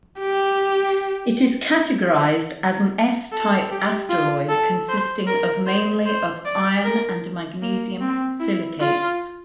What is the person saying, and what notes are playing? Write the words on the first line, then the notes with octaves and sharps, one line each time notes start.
It is categorized as an S-type asteroid consisting of mainly of iron- and magnesium-silicates.
G4
A4
G4
F4
A4
C5
A#4
C5
C5
D5
A#4
A#3
C4
E4
F4